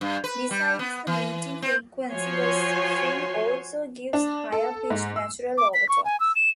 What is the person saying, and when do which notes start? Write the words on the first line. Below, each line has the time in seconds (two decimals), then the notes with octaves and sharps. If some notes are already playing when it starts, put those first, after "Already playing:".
Besides the beating frequency, the string also gives higher pitched natural overtones.
0.01 G2
0.24 B4
0.51 G3
0.79 B3
1.07 E3
1.62 C4
2.12 F3 F#4 C#5 G#5 C6
4.13 D4
4.52 A4
4.90 G#2
5.16 E6
5.58 D6
5.74 B6
5.89 C#6
6.05 G#5
6.20 E6
6.36 E7